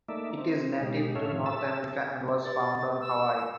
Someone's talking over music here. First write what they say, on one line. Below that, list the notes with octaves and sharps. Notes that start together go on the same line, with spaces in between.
It is native to North America and was found on Hawaii.
A3 A#3 D#4 D5 E5
C4
B2 G#3 D#4 G4
A2 C#4 A4 C#5 E5 F5
A2 D#3 F3
E5 A5 E6
G4 B4 D5 A6
E6
C#6